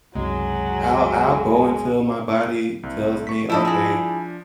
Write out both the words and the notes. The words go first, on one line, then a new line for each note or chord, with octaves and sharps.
I'll I'll go until my body tells me, "Okay,
F#1 C2 F#3 G#3
C2
C#6 B6
F3 D4 E4 A4 D#5
E4 G#4